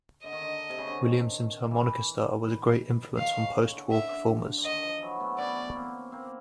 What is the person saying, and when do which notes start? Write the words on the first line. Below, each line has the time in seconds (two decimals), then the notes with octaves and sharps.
Williamson's harmonica style was a great influence on postwar performers.
0.24 D3 D#5
0.33 D#3
0.42 D3
0.70 C3
0.78 C#3
0.88 D3
0.98 D#3
1.71 E3
3.18 D#3 F5
3.36 C#3
3.55 C#3
3.73 D3
3.92 D3 E5
4.58 D3
4.66 D#3 D#5
4.84 F3
5.02 E3 F#3
5.20 A3 B3
5.38 B3 C#4 D5
5.75 A#3 C4
6.12 A#3 C4